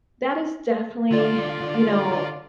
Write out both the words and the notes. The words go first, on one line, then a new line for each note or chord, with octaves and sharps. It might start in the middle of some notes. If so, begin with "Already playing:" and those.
that is definitely you know,
D3 F4 D5